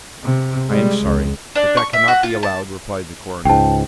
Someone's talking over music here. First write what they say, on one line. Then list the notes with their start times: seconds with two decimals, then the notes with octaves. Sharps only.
"I am sorry, but that cannot be allowed," replied the coroner.
0.24 C3
0.68 G3 G#3
1.03 C#2
1.55 D4
1.77 C#6
1.93 E5
2.08 F#4
2.23 F4
2.43 A5
3.45 C#2 G#2 G5 A5